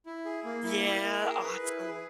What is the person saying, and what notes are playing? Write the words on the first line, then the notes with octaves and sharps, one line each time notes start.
Yeah, awesome.
E4
G#4
A#3
E4
E4
A#4
G#4
B4
E4
G#4